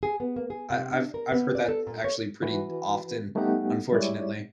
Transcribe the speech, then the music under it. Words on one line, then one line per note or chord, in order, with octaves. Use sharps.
I I've I've heard that actually pretty d often, unfortunately.
G#4
B3
A#3
G#4
C3
D4
A#4
B3
D5
A4
A#2
C#5
E3 F#4 B4
G3 A3 B3 D#4 G4 F#5
G3 G#3 E4 C#5 D5